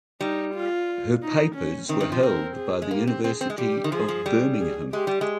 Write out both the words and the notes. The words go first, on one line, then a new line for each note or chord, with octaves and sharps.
Her papers are held by the University of Birmingham.
G3 D#4
F4
D#4
C#4
D#3 C4
D#3
F3
C4 A#4
G#4
G#3
A#3 G4
C4
C4 G#4
C4
G#3
G3 G4
D#3
F3 G#4
F3
G3
G#4
G#3 G4
G3
G#3